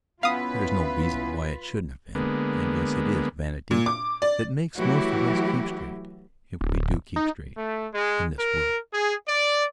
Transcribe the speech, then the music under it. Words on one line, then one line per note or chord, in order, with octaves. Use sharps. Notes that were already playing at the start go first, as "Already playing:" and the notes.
There is no reason why it shouldn't have been; I guess it is vanity that makes most of us keep straight, if we do keep straight, in this world.
B3 C#4 E4 F4 B4 F5 D#6
D3 G#3 A#3 B3
A#2
D6
D5
E3 F#3 A3 E4 F#4 G4
D1
D#4
A3
G#3
A#4
G#4
D5